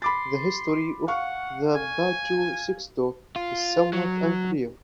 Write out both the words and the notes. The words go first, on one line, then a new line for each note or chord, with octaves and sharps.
The history of the bajo sexto is somewhat unclear.
B5 C6 D6 A6
F5 F#5 C#6
G#5
F4
F#3